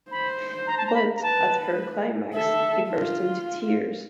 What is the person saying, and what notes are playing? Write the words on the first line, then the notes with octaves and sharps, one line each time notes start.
But at her climax he burst into tears.
C5 B5
A#5
A5
A#5
B5
A#5
B4 A5
A4 E5
F4